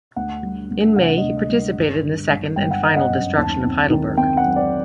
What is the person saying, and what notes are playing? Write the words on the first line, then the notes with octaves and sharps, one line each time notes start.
In May, he participated in the second and final destruction of Heidelberg.
D2 F#5
G3
D2
C3 F#5
D#5
D2
D#5
G3
G1
D3
G1
G1 G5
F#5
G1 D#5
F#5
F#2
D#2 A5
C4
D#3
C4 G5
F#5
F#3
D5